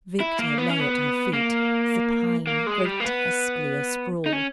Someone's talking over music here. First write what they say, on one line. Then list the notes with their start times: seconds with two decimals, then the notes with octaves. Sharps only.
Victor lay at her feet, supine, grotesquely asprawl.
0.21 E4
0.39 A#3
0.58 B3
0.69 C#4
0.80 B3
1.33 A#3
2.47 A#3
2.67 G#3
2.85 G3
3.00 A#3
3.05 B3
4.26 D#4
4.32 C#4